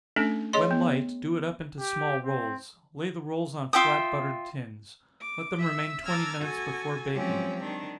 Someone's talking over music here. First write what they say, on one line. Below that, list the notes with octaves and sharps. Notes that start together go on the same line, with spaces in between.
When light, do it up into small rolls--lay the rolls on flat buttered tins--let them remain twenty minutes before baking.
A3 C#4 D4 A4
G#4 C#5 D#5 C6
B3
G4
C4
F4 E5 G5 D#6
D6
E5 E6
A5 A#5 D6 E6 F6 G#6
F#4 A4 G#5
F3 F#3 G#3 C4 C#4 G4
D#3 D4